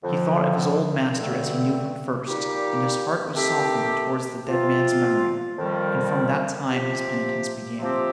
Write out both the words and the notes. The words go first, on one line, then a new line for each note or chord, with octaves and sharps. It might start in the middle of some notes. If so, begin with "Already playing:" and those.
He thought of his old master as he knew him first, and his heart was softened towards the dead man's memory; and from that time his penitence began.
F2 D3 F3
G2 D3 A3 C4
A#2 G3 A#3 D#4 G4
D#3 A3 C4 G4
C3 F3 C4 F4
F2 D#3 G3
C3 F3 C4 G4
C3 F3 C4 G4